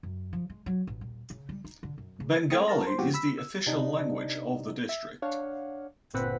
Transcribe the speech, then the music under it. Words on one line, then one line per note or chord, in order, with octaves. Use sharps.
Bengali is the official language of the district.
F#2
F3
G#3
F#3
A1
D#1
C#3
G3
D#4
D3
F#2
C#3
A3 C4 D#6
F#4 A#4 A5 A#5
C5 C6
G#2 B2 F3 C4 F#4 G4
B5 E6 B6
E6
C3 D4 D#4
E5
D4 C#5 F5 F#5
G1 A#2 C4 B4 F#5 B6